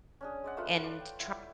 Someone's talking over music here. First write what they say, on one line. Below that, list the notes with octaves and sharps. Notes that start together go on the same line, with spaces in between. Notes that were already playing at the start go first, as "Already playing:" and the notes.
and trying
C#4 D4 G#4
G#3 D5 F#5
A3 F4 B4 F#5
D5
G5
E4 F#5 G5